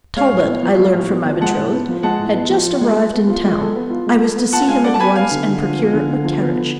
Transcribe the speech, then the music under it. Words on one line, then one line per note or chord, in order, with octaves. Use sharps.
Talbot, I learned from my betrothed, had just arrived in town. I was to see him at once, and procure a carriage.
G#3 C#5 F5
A2
B3
F3
G#3
A2
B3
F3
G#3 F#5 A5
A2
B3
F3
G#3 F#5 A5
A2
B3
F3
F4
G#3
A4
B3
F4
G#3
A4
B3
F4
G#3
A4
B3
F4 F#5 A5
G#3 F5 G#5
A4 D5 F#5
A5
B3 G#5 B5
B3 F5 G#5
D3
D3
F3
B3
D3
D3
F3
B3
D3